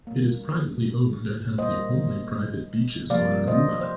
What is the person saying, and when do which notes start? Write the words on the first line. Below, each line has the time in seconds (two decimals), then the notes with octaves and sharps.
It is privately owned and has the only private beaches on Aruba.
0.07 A#2 G3 A#3
1.58 A#2 G3 A#3 C5 D#5
3.10 C3 F3 A#3 D5 F5
3.47 C5 D#5
3.81 C5